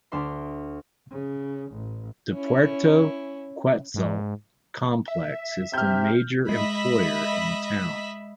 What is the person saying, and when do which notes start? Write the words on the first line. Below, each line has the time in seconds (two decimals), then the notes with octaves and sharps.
The Puerto Quetzal complex is the major employer in the town.
0.12 D2 D4 E5 C6
1.11 C#3
1.72 A1
2.33 C#4 E4
3.94 G#2
5.08 E5
5.74 C3 F6 G6
6.49 G#3 D#5 E5 B5